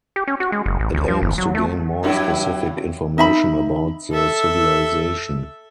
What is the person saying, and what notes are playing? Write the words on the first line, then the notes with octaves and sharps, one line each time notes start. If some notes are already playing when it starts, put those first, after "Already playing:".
It aims to gain more specific information about the civilization.
G4
C#4
F#4
G#3
F#1
A1
D2
F3
G1
F#3
A3
G2 F#3 E4
D#4 E5 B5
A4 E5